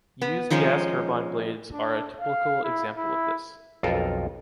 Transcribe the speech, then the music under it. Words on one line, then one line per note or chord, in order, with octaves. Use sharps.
Used gas turbine blades are a typical example of this.
B3
D#3 F3 G#3 C#4
D4
F5
E4
E4
B1 F2 F4 A4 A#4